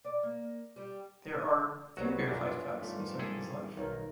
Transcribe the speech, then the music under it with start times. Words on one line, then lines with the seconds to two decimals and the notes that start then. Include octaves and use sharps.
There are few verified facts concerning his life.
0.05 D5
0.23 A#3
0.76 G3
1.97 C2 F#3 B3 F#4 B4 C#5
2.28 F#2 E3 D4 F4 D5
2.82 G#2 D#3 G3 A3 F4
3.19 E4 G#4 A4
3.77 B1 D#3 A#4